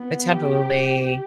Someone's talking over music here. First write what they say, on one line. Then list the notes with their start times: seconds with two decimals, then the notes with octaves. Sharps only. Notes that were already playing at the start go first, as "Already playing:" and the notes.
the tabbouleh,
Already playing: B3
0.32 G4